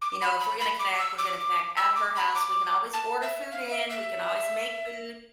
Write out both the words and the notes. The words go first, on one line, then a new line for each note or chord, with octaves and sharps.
you know, if we're gonna connect we're gonna connect at her house, we can always order food in, we can always make food,
D6
B5
B5
B5
D6
E6
D6
E6
D6
B5
D6
A5
E5
F5
E5
E5